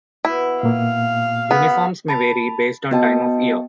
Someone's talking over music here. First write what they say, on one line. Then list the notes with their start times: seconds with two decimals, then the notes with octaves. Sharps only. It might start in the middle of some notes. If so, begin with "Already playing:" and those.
Uniforms may vary based on time of year.
0.25 B2 E4
0.63 A#2 A#3 F5
1.51 C#3 F#3 B3
2.08 A5 B5 A6
2.91 B3 F#4 D#5 G5 A5